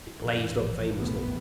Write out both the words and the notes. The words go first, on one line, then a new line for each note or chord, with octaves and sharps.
It blazed up famously.
F1 F#2 A#2 D#3
A1 D#2 A#2 F3
A#1 E2 C3 F3 A3 B3